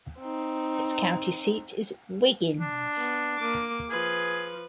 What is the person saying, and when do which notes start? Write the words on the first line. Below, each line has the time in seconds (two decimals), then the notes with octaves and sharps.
Its county seat is Wiggins.
0.20 C4 D#4
2.60 D4
2.98 B3
3.37 A#3 D6
3.90 F3 G#4 B4